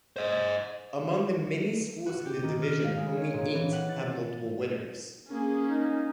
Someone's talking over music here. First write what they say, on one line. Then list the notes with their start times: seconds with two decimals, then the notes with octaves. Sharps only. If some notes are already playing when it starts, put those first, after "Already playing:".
Among the many schools in the division, only eight have multiple winners.
0.16 C5 D#5
2.06 F#4
2.26 G4
2.43 D#3
2.62 F6
2.85 F5
2.97 G#3
3.17 C#5
3.34 A#2
3.55 E3
3.73 F#5
3.89 A6
4.03 A6
5.28 A#3 C#4 G#4
5.67 D#4